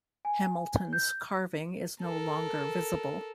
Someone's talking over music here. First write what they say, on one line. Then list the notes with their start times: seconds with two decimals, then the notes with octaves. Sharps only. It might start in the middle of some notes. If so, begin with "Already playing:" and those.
Hamilton's carving is no longer visible.
0.25 G#5
0.93 G6
2.02 A4 A#4